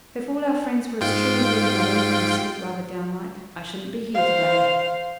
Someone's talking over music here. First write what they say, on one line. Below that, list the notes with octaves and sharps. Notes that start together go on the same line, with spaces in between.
'If all our friends were as true as you, Maddie,' I said, rather down-like, 'I shouldn't be here to-day.'
G#2 F4 G5
C5 F5